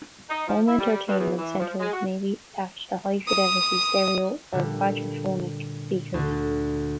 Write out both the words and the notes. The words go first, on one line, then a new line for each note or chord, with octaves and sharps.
Home entertainment centers may be attached to high-fidelity stereo or quadraphonic speakers.
D#4
F3
E4
G3
G2
E2
E3
F3
G#3
F#4
D#6
A#2 D3 G3
D2 D3